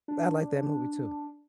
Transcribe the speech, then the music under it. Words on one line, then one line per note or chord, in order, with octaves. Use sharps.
I like that movie too,
D4